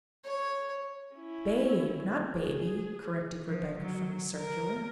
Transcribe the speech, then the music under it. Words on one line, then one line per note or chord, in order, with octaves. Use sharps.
"BABE, not baby," corrected Rebecca from the circular.
C#5
C#4 E4
G#4
F3
F#3
A#4